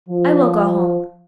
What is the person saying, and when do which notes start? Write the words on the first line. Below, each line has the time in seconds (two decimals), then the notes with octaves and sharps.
"I will go home."
0.09 F3